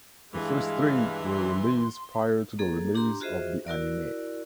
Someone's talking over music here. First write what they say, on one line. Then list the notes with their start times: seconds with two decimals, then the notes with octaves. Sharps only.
The first three were released prior to the release of the anime.
0.34 G2 E3 G#3 F5
1.25 C6
2.59 A#3 G#4 A4
2.95 D4 G4 A#5 C6
3.20 F4 F#4 G#4 C5 D#5 E5
3.67 E4 F#4 A#4 D5